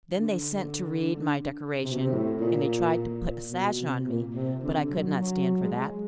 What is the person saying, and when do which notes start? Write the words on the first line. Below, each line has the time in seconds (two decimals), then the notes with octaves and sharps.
Then they sent to Reid my decoration, and they tried to put a sash on me, but I could not stand for that.
0.17 D3
1.84 C3
1.91 B2
1.99 C3
2.13 A2
2.41 A#2
3.52 B2
3.79 C3
4.07 A#2
4.34 C3
4.63 D3
4.91 F#3
5.19 F#3
5.61 G#3